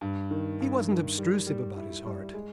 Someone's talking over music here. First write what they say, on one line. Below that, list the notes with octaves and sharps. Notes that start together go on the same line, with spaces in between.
He wasn't obtrusive about his heart.
G2
D#3
G2
D#3
G3
G3
E4
G3
G#3